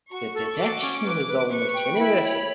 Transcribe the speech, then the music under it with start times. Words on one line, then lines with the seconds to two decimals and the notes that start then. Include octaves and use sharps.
The dejection was almost universal.
0.10 F#4 C#6
0.35 A4
0.57 F#4 D6
0.80 C#4
1.04 B4 D6
1.27 B4
1.51 B4 C#6
1.74 G5
1.97 E4 B5
2.21 C#5